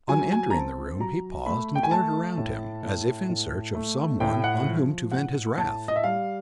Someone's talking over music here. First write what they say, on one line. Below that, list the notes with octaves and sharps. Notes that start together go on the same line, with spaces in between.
On entering the room, he paused and glared around him, as if in search of some one on whom to vent his wrath.
F#3 G#5
G#5
A#5
C4 A5
F#3 A#5
A3 B5
G5
G#5
A3 A5
A2
A2
A2
A3
A2 G5
F#5
F3
A2 F#5
A2 A5
D#5
E5
G3 F5